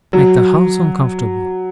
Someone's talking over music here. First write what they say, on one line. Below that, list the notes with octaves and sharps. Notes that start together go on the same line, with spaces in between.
I make the house uncomfortable.
F#3